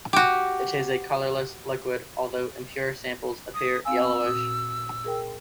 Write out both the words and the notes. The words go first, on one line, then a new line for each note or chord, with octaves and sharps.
It is a colorless liquid, although impure samples appear yellowish.
F#4 G4
D#6
C4 F5 G#5 E6
A#2 F#4 D#6
G#4 A#4 G5